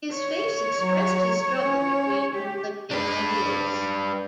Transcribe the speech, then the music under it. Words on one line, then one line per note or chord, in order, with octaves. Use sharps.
His face expressed his struggle between conflicting ideas.
C#5
F#3
C#4
G4
D4 B4